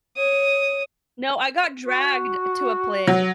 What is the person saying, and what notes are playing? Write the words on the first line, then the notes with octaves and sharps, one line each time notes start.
No, I got dragged to a play.
C#5 D#6
F#4
F#3